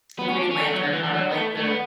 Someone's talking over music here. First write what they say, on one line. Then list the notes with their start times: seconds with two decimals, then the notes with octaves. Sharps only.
Green Lantern are, like, the,
0.19 B3
0.29 C#4
0.40 D4
0.50 C#4
0.62 A3
0.72 F#3
0.83 D3
0.93 E3
1.04 E3
1.14 F#3
1.31 B3
1.35 A3
1.57 A3
1.67 B3